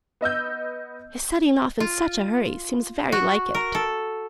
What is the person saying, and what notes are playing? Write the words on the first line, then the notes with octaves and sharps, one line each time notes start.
His setting off in such a hurry seems very like it.
B3 D#5 E6 G6
F4
F#4
A#4
A4